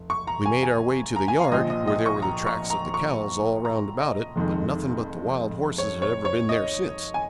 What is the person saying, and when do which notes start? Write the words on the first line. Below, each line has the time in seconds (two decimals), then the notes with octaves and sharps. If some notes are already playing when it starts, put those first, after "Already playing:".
We made our way to the yard, where there were the tracks of the cows all round about it, but nothing but the wild horses had ever been there since.
Already playing: F1
0.10 C#6
0.27 A#5
0.46 G#5
0.63 G#5
1.16 A#5
1.28 G#5
1.40 F5
1.52 A#1 A#2 F3 D#5
1.70 D#5
1.87 D#5
2.06 C#6
2.22 A#5
2.47 C#6
2.70 A#5
2.94 C#6
3.65 A#5
4.00 D#5
4.36 F1 F2 D#3 G#3
5.78 C#5
6.02 C#5
6.25 C#5
6.49 D#5
7.14 G#5